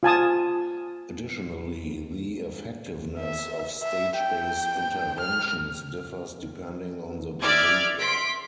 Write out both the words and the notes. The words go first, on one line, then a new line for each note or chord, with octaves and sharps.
Additionally, the effectiveness of stage-based interventions differs depending on the behavior.
F4 G#5 A5 D#6
E5
E5
G5
F6
D5 E5 D6 F6 G#6
C6 B6 D7